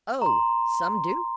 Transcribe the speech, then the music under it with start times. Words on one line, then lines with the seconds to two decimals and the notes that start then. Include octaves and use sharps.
"Oh, some do!"
0.22 A#5
0.26 C6